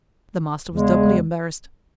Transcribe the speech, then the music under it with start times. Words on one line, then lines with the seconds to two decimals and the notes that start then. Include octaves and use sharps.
The master was doubly embarrassed.
0.70 E2 C#3 G#3